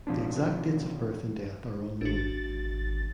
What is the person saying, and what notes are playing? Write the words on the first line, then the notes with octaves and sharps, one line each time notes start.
The exact dates of birth and death are unknown.
B2 F3 C4 D4
G#1 D4 F#4 A6